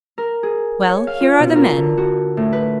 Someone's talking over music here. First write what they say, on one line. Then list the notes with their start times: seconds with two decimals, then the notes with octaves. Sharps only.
"Well, here are the men."
0.18 A#4
0.43 G#4
0.88 C#5
1.07 F5
1.21 F4
1.40 B2
1.56 A#4
1.77 D3
1.97 F#4
2.37 A2
2.53 B4